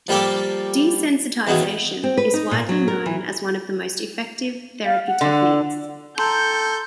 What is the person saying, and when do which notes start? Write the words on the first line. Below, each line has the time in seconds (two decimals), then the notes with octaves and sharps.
Desensitization is widely known as one of the most effective therapy techniques.
0.08 F3 G3 A#3 G4 A4
1.47 E2 B2 D#3 F#3
2.04 C4
2.17 B4
2.34 D#4
2.51 A#2
2.69 F#3
2.88 A#4
3.06 E3
4.86 F5
5.07 F#5
5.21 D3
6.18 A4 G5 A#5 C6 G6